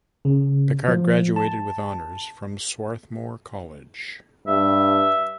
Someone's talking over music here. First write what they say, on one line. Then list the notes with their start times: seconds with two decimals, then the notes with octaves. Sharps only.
Picard graduated with honors from Swarthmore College.
0.25 C#3
0.88 F3
1.36 A5
4.47 G2 E5